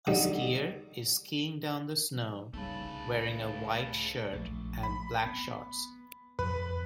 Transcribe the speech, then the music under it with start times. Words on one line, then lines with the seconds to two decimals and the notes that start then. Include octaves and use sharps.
A skier is skiing down the snow wearing a white shirt and black shorts.
0.07 D3 F#3 G3 D#4
2.54 C2 C#3 G3 A3 D#4 B4 A5
4.33 A#1 A3
4.83 B5
5.26 B3
6.39 F2 B4 B5